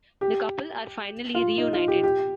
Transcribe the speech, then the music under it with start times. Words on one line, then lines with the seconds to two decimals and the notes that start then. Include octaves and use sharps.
The couple are finally reunited.
0.21 G4
1.35 F4
1.58 D#4
1.73 F4
1.88 G4
2.03 G4